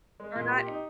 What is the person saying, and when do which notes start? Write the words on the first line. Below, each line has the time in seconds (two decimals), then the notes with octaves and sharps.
Or not
0.20 G#3
0.36 A#2
0.51 G4
0.67 D#4